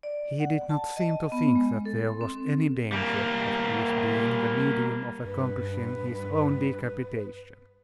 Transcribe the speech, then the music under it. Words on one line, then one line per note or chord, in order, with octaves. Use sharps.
He did not seem to think that there was any danger of his being the medium of accomplishing his own decapitation.
D5
F#5
A5
D#5
B3
G#3
A4
C6
C4
G3 A#3
G2 B4